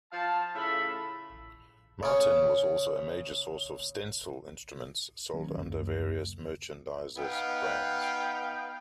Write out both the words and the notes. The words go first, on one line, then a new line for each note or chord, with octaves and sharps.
Martin was also a major source of "stencil" instruments sold under various merchandisers' brands.
F3 F5 A5
A2 C#3 A4 E5 B5
C#3 C#4
D#3 F#3 A#3 C#4
C#2 F#2 A#3
B3 D#4 B4 F5 G5